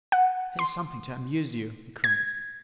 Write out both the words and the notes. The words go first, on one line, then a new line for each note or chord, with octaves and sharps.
"Here's something to amuse you!" he cried.
F#5
C6
G#6